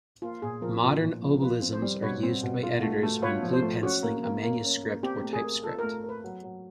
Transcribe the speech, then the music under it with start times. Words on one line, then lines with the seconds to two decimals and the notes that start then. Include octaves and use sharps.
Modern obelisms are used by editors when blue-penciling a manuscript or typescript.
0.22 A#3 F4
0.42 A#2 G#4
0.62 F3 A#4
0.82 A#2
1.02 A#2
1.22 F3
1.42 F4 B4
1.62 C4
1.72 C5
1.82 G3
2.02 B2 B4 C#5
2.23 C4
2.43 B2
2.63 F4
2.83 A3
3.03 A3
3.22 F4 B4 C#5
3.43 F3
3.53 C5
3.62 A3
3.83 C#4 F#4
4.03 A#3
4.23 A#3
4.43 A#3
4.64 C#4
4.83 A#3
5.03 C4 G4
5.23 A3
5.33 G#4
5.43 A#4
5.63 F4 A4
5.79 A3 A#4
6.04 A#4
6.09 B4
6.24 F#3
6.44 F#3